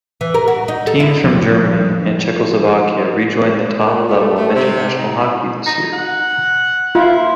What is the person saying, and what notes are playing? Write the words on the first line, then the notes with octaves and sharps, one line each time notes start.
Teams from Germany and Czechoslovakia rejoined the top level of international hockey this year.
E3
A#4
F#4
D#4
A4
E4
F3 G3 A#3 C4
A#2
A3
A3
C3
D#4
E4
D#4
F#5
E4 F4